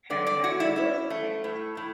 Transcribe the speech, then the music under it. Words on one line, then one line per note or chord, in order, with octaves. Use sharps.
Her cargo was saved.
D3 D5
D5
E4 F#4
E4
C#4 E4
A3
A2
A2